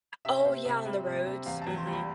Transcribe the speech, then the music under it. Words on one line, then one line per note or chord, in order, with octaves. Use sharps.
Oh, yeah, on the roads? Mhm.
C3 E5
C3 C5
C3 E5
G3
C3
C3
E2 F5
E2 A5
C6
G3
B5